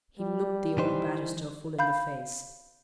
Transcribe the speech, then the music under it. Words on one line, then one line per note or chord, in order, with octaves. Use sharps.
He looked the old barrister full in the face.
G3
E3 D#4 C5
F5 B5 G6